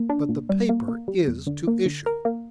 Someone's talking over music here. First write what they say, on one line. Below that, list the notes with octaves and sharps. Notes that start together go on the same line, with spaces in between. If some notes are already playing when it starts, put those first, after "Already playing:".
But the paper is to issue.'
Already playing: A#3
D4
A#2
G3
A#3
A#3
G3
E2
D3
A#3
D3
A#4
A#3